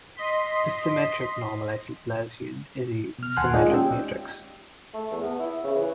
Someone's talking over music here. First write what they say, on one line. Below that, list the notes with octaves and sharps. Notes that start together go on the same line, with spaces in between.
The symmetric normalized Laplacian is a symmetric matrix.
D#5 C6 B6
B2 F6
D#2 F#5 G#5 A5 C6 F#6
G#3 A#3 D#4 F4 D5 D#5
C#4 G4 G5 E6
A3
E2
B3
E4
C#3
E3